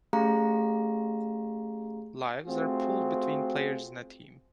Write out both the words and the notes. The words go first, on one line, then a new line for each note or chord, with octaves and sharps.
Lives are pooled between players in a team.
A3 C#4 G4 G#4 F5 A#5
A3 C4 F4 F#4 G#4